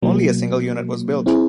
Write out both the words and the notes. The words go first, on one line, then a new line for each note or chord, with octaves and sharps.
Only a single unit was built.
B2 F#3 A#3
C4 E4 G#4